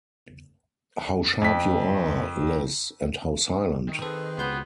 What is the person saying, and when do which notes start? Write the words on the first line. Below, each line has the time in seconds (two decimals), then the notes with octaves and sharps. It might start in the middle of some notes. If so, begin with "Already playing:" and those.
How sharp you are, Liz, and how silent!
1.42 F2 B6
3.88 D#3
4.02 C4 G#4 A4 B4
4.38 C#2 B3 F#4 B5 C6 G6